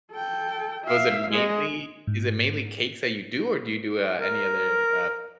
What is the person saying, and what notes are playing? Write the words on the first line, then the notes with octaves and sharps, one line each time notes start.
Was it mainly is it mainly cakes that you do, or do you do, uh, any other, uh
A4 G5
E5 F5
G#3 D#5
G#2
A#4